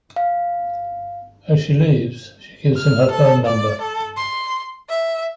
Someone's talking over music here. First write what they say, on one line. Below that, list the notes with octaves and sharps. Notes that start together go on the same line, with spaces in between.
As she leaves, she gives him her phone number.
F5
F6
A4
D5
A4
C6
E5